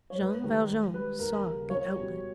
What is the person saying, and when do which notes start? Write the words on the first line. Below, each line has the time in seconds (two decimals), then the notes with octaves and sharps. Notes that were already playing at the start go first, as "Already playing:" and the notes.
Jean Valjean saw the outlet.
0.10 C#5
0.18 G#2 B4
0.44 D#3 G3
0.69 G#2
0.94 G3 B4
1.19 D#2 A#4
1.45 C#3 G3
1.70 C#2 C#5
1.94 B2 G3